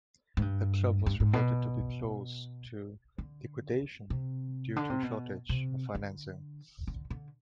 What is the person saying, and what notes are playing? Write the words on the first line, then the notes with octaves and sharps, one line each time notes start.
The club was reported to be close to liquidation due to shortage of financing.
G#2
G2
G2
G#2
B2
D3
C3
D3
C3
B2
C3
D3
D3
D3